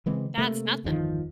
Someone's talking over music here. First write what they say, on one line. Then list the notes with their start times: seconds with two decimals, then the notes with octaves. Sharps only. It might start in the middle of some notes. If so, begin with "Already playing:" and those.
That's nothing.
0.06 C#3 E3 G#3 C4
0.38 C3 A3 A#3
0.84 G1 E2 D#3 F3